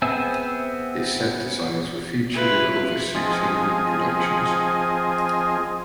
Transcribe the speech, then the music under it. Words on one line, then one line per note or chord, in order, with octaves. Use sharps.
His set designs were featured in over six hundred productions.
B3 C4 G#4 E5
E4 F4 B4
F3 C4 G#4 D#5